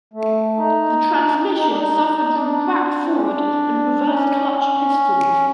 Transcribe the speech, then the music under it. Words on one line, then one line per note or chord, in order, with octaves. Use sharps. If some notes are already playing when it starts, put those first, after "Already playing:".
The transmission suffered from cracked forward and reverse clutch pistons.
A3
D#4
D#4
D#4
D4
D#4
D#4
D4
C4
C#4
D4
C#4